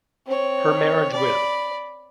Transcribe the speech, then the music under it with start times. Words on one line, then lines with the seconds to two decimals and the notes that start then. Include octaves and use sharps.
Her marriage with.
0.26 C4 C#5
1.13 D5 B5